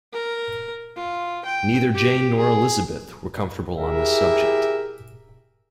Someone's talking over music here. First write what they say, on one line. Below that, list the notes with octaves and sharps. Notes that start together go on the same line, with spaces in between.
Neither Jane nor Elizabeth were comfortable on this subject.
A#4
F4
G5
G4
G#4
E4 G4 G#4 A#4 E5